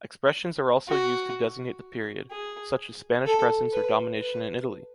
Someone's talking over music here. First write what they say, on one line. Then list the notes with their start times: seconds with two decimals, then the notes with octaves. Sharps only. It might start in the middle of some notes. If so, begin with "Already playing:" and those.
Expressions are also used to designate the period, such as Spanish presence or domination in Italy.
0.88 F#4
2.31 G#4
3.27 A4
3.73 B4
4.21 B4